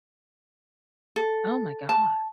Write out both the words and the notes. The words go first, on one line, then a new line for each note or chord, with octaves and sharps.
Oh my god.
A4
A5